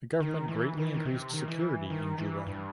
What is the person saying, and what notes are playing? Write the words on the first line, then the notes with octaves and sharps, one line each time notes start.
The government greatly increased security in Juba.
D#3
E3
D#3
E3
D#3
C3
D#3
E3
D#3
E3
G2